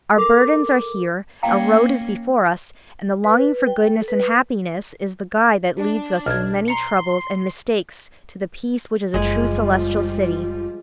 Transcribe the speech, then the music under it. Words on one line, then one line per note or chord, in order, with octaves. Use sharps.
Our burdens are here, our road is before us, and the longing for goodness and happiness is the guide that leads us through many troubles and mistakes to the peace which is a true Celestial City.
A4 A#4 D6
A#3 C#4 F5 G5 A#5
B4
G5
A4
B4
D4
B1 F6 G#6
A#5 C6 C#7
F#1 F3 G3 G#3 F4